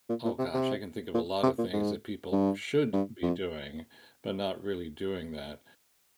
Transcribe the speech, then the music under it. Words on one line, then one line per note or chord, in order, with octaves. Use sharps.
Oh, gosh, I can think of a lot of things that people should be doing, but not really doing that.
A#2
A#2
C3
C3
A#2
C3
A#2
G#2
G2
G2
F2